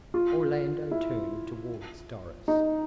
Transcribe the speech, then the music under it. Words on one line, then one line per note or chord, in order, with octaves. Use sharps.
Orlando turned towards Doris.
F4
E4
D#4